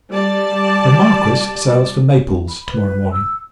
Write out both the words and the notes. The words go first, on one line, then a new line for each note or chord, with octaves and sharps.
The Marquis sails for Naples to-morrow morning.
G3 D5 A5
B5
B4
E6